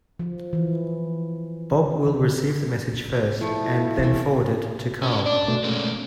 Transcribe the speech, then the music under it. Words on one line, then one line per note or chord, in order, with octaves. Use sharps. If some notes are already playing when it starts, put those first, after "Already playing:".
Bob will receive the message first and then forward it to Carl.
F3
E3
D3
F3 A3 E4
E3 A3
C#4 D4
D4 D5
B2 A3
G#3 A#3 C#4